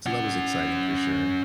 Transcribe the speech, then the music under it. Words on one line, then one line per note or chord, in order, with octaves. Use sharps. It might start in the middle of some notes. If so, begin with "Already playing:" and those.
So that was exciting, for sure.
C#4 F#5